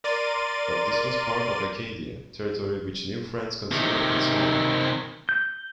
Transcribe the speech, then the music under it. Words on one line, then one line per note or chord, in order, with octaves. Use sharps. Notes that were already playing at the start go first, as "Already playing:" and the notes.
But this was part of Acadia, territory which New France considered its own.
A#4 D5 C6 A6 D#7
C3 D#3
G6